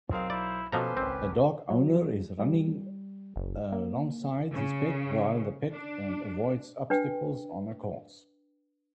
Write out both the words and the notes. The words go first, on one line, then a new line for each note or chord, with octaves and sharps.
A dog owner is running along side his pet while the pet avoids obstacles on a course.
B1 C4 G#4 A#4 F5
E4 C5 D5
B2 F3 C#4 G4 A4 B4 C5 A#5
G#1 C#2 C4
F#3
G3
F#1
A#3
C#3
D4
D4 B4 G5